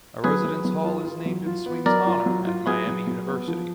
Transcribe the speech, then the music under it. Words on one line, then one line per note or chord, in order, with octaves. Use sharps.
A residence hall is named in Swing's honor at Miami University.
F#3 G#4 B4
F#3
F#3
F4
F4
F#3
F4
B3
F#3 A#4 D5
F4
F#3
F4
F#3 G#4 B4
F#3
F#3
B3
F3